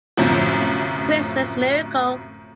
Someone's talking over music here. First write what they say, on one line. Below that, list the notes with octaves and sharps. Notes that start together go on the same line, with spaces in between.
Christmas miracle.
G1 C2 F#2 A2 F3